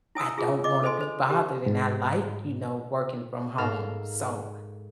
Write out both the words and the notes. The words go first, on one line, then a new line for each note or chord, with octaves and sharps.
I don't wanna be bothered, and I like, you know, working from home. So
E4 G#5 D#6 E6
F4 G#4
D#5 D6
A4 C5 D#5 G#5 C6
C5
G4 A#4
G#2
G#2 A4 A#4 F5 F6 A#6